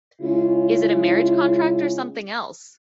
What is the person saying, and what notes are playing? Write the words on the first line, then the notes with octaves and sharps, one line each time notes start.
Is it a marriage contract or something else?
C#3 G#3 C#4 E4 F4